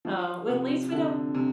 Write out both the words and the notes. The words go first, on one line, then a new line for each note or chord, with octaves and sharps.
Oh, at least we don't
F3
C3
D3
C3